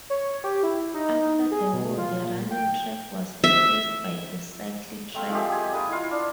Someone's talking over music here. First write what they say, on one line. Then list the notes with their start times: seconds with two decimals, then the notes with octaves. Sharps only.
After the war the running track was replaced by a cycle track.
0.10 C#5
0.44 G4
0.63 E4
0.94 D#4
1.51 G#4
1.73 B2
1.97 F4
2.25 A#2
2.51 G5
3.44 E5
5.14 A3 C4 E5 F5
5.30 F3 G#3 A3 G4
5.52 G#5
5.72 F4 A#4 B4 D#5
5.89 E4 F4 F5
6.11 D4